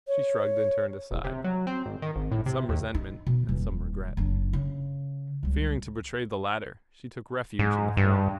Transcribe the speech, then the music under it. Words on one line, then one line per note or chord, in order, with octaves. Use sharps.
She shrugged and turned aside, in some resentment and some regret. Fearing to betray the latter, she took refuge in the former.
C#5
E1
C3
F#3
C4
G#1
D#3
G#1
A2
C3
D#2
D#4
B2
D#1 E3
F#1 D4
C#3
C#2 G3
G#2
G2